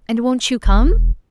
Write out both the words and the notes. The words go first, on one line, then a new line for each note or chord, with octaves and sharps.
'And won't you come?'
E1